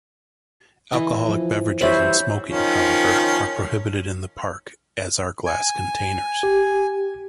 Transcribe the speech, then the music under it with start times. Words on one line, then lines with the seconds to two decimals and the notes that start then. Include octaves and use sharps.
Alcoholic beverages and smoking, however, are prohibited in the park, as are glass containers.
0.93 E3 D#5
1.29 F3
1.81 E3 G3 C5 C#5 E5 B5
2.48 D#3 F3 C#4
5.46 G#5
6.43 G4